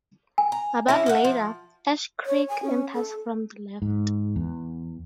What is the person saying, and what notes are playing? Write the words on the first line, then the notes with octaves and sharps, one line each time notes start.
About later, Ash Creek enters from the left.
G#5
A#5
D3 C#4 E4 E5
A#3 D#5 F#5
F3
C#5
G#5
C#4
A4
G#2
E2